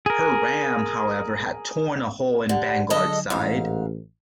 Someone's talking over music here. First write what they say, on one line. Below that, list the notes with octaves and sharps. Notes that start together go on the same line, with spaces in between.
Her ram, however, had torn a hole in "Vanguard"s side.
G#4 A#4
D3 G4 F#5
D3 F#3 G#3 A4 D#5
A1 G#2 F5